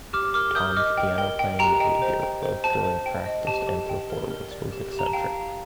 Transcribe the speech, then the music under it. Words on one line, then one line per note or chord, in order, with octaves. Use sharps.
Tom's piano-playing behavior, both during practice and performance, was eccentric.
G4 D6 F6
A#4 D6 F6
A#4 D#6 G6
D#5 D6 F6
D#5 G5
A#4 G5
G5
G4 G5 A#5
D#5 G5
C5
G5
C5
C5 A5
C5
G5
D#5
G4 A5
G4
G5
A#4
A#4
D5
G4
G4
A#5
A5
F5 G5
F5